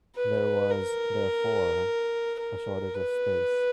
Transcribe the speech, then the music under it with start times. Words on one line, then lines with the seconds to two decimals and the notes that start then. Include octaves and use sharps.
There was, therefore, a shortage of space.
0.15 B4
0.71 A#4
2.39 A#4
2.95 B4